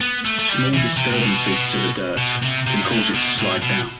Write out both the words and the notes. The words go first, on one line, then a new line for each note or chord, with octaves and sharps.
Small disturbances to the dirt can cause it to slide down.
B3
A3
A3
G3
E3
C3
A2
B2
B2
C3
C3
G2
A2
B2
A2
B2